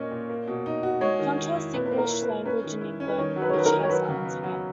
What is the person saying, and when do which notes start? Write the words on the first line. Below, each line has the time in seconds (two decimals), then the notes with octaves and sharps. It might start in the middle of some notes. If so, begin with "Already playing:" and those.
Contrast English language in England, which has Aren't I?
Already playing: A#2 A#3 C#4 C#5 D#5
0.11 A#2
0.30 A#3
0.47 B2
0.66 D#4
0.83 F#4
1.01 G#3 C#5
1.19 D#3
1.38 D#3
1.55 E4
1.73 A#2 B4
1.86 B4
1.91 A#3
1.98 A#4
2.10 E4
2.22 B4
2.28 E4
2.46 C#4 B4
2.64 D#3
2.81 E4
3.00 C#4
3.08 B4
3.18 D#3 C#5
3.36 F#3
3.42 B4
3.49 C#5
3.53 D#3 B4
3.66 A#4
3.72 D#3
3.83 C#5
3.89 F#3 B4
4.08 C#3
4.25 B3
4.44 F#3